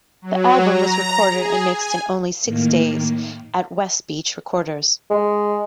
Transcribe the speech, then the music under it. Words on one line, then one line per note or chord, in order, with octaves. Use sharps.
The album was recorded and mixed in only six days at Westbeach Recorders.
F#3
A#5
G#4
G#5
A2 D#3 A#3
G#3